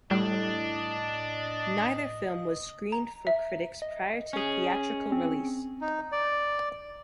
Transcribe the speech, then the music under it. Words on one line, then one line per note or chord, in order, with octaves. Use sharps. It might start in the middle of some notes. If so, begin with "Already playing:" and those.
Neither film was screened for critics prior to theatrical release.
A2 G3 D4 D#5
A#5
E5
D#5
C#4 G#4
C4
D#4
D5